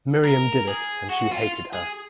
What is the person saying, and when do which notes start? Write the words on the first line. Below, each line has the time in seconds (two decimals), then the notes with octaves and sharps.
Miriam did it, and she hated her.
0.24 A#4
0.68 G#4
1.09 F#4
1.32 F4
1.73 G#4